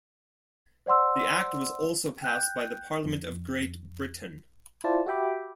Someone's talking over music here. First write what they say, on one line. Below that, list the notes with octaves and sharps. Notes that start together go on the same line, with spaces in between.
The act was also passed by the Parliament of Great Britain.
C5 D5 F#5 C6 E6
G5 F#6 G6
F2
E4 F4 C5 D5 A5
F#4 G4 E5 G5 B5 D6